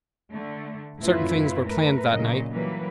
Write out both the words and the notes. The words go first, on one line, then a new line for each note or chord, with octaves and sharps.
Certain things were planned that night.
D3 A3
F#2 A2 E4 F4 B4
A3 A#4 B4
A#2 C#3 F#3 D#5
E3 F#3 G3 A#3 B4